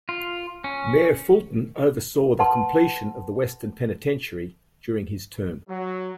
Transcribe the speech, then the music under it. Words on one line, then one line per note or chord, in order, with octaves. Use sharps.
Mayor Fulton oversaw the completion of the Western Penitentiary during his term.
F4
C#4
B4 F#5 A5 C6
F#3